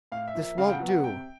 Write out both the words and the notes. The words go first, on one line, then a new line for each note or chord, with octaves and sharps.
This won't do.
A2 F5
E5
F3 A#3
E5
C#3 F5
G5
F#5
F#3 B3
F#5
C3 G5